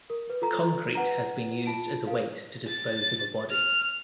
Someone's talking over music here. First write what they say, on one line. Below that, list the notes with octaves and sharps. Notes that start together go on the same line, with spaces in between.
Concrete has been used as a weight to dispose of a body.
A#4
B4
F4 A4 A#5
B4 F#5 A#5
F4 A5 D7
A#4 F5
A6
F6